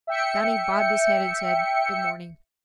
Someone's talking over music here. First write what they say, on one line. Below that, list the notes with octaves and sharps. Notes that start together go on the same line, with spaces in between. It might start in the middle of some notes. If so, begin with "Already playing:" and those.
Johnny bobbed his head and said, "Good morning."
E5 G5 C#7